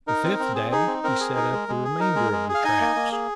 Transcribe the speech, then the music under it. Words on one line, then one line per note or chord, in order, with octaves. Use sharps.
The fifth day he set up the remainder of the traps.
D#4 A#4
C4
C4
G#4
D#4 G#4
C4
C4 A#4
G#4
D#4
G#3
G#3
G#4
D#4 A#4
G#3
G#3
G#4
F5
D#4 D#5 G#5
A#3
A#3
G#4